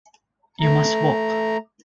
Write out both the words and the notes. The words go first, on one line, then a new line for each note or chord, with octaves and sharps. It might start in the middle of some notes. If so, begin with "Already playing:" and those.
You must walk.
A3 A#5